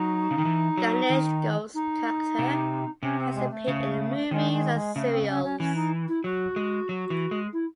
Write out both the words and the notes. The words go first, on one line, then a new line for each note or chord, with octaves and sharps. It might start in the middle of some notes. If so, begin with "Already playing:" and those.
Ganesh Ghote's character has appeared in a movies and serials.
Already playing: F#3 D#4
C#3
D#3
E3
F#3
D#3
D#4
C3
C3 C#4
C4
G#3
A3
C#3
D#3 G#3
G#3
G#3
C#3 A3
C4
C4
C#4
C#4
E3 C#4
D#4
E4
F#3 F#4
G#3
F#3
E3
G#3
E4